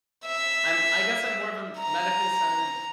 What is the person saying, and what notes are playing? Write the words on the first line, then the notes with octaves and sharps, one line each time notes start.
I'm I guess I'm more of a medically centered
E5
A#5